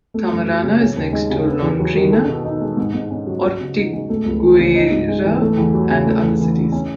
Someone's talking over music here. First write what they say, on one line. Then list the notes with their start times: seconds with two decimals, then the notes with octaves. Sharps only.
Tamarana is next to Londrina, Ortigueira and other cities.
0.14 A3
0.31 F#2
0.47 F#3
0.63 C#3
0.80 C#4
0.97 D#2
1.13 G#3
1.30 C#3
1.46 B3
1.62 E2
1.80 F#3
1.96 D#3
2.12 A4
2.28 B2
2.45 D#4
2.61 G#3
2.77 G#2
2.94 G#2
3.10 C#4
3.27 F#3
3.43 F#4
3.60 C#3
3.77 D#4
3.93 G#3
4.10 A3
4.26 C#2
4.42 E3
4.59 C#3
4.75 D#4
4.91 G#2
5.09 G#3
5.24 E3
5.41 A3
5.57 E2
5.74 F#3
5.90 C#3
6.06 A3
6.23 E2
6.40 E3
6.56 C#3
6.72 C#4